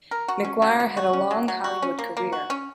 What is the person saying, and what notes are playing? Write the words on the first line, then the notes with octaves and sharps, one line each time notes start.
McGuire had a long Hollywood career.
A#4
F#4
C#4
F#3
F#3
F#4
C#4
F#3
F#3
F#4
C#4
A#3
A#3
F#4
C#4